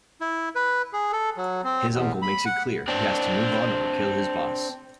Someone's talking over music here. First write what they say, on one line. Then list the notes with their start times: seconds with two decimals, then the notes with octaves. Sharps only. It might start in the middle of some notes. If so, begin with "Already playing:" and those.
His uncle makes it clear he has to move on or kill his boss.
0.21 E4
0.55 B4
0.93 G#4
1.13 A4
1.37 F#3
1.64 C4
1.94 E2
2.22 B5
2.45 F#5
2.88 C4 D4